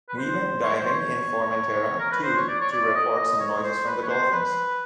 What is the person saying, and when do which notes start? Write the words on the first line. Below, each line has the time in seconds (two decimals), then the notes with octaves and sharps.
We went diving in Formentera too to record some noises from the dolphins.
0.09 B4
0.17 C5
0.63 C#5
0.76 C5
0.88 C#5
1.99 A#4
2.11 B4
2.23 C5
2.36 C#5
2.48 D5
2.60 C#5
2.72 D5
2.94 D#5
3.18 D#5
3.40 C#5
3.63 C5
3.87 B4
4.03 C#5
4.09 C5
4.32 B4